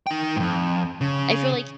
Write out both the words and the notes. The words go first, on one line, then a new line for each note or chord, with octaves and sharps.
I feel like
D#4 G5
F2 G#2
C#3